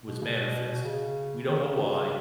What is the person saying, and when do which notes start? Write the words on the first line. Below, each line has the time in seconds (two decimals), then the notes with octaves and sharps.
was manifested. We don't know why.
0.06 B2
0.21 C#3
0.25 B2
0.72 B2
0.83 C#3
1.48 D#3
1.60 C#3